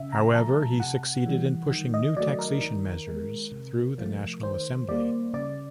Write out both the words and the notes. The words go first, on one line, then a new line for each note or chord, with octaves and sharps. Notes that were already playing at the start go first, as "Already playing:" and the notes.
However, he succeeded in pushing new taxation measures through the National Assembly.
Already playing: C#3 E5
A#5
F3 A3 A5
C3 F#5
E3 G3
D#3
D#5
F#3 A3 D5
A#4
D#3
G#3
C3
F3 A3
D#3 C5
G3 A#3 D5
C#3 D5